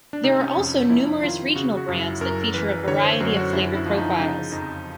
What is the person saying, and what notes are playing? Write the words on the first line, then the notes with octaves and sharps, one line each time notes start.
There are also numerous regional brands that feature a variety of flavor profiles.
D4
C3 D#4
C#4
F2
F2 E4
D#3 F4
C#3 F#4
F#4
F#2
E4
F#2 A#4
E3 B4
D3 C#5
C5
F#2 F#4
F#4
F#2 E4
E4
F3
D#4
C#3 D#4
F2 D#4